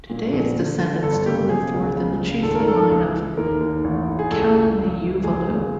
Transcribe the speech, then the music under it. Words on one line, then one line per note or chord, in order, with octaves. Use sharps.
Today its descendants still live forth in the chiefly line of Kalaniuvalu.
A#2
A#1
D3
D3
G1 A4
C#3 G4
B2 G#4
C#2
C#3
C#2
G#1 A4
A#4
D#3 A4
C#2
E3
D#2 A#4
D#2
A1
A2
G#4
C#2 A4
C#2
C#2
E3
C#2 G#4
C#2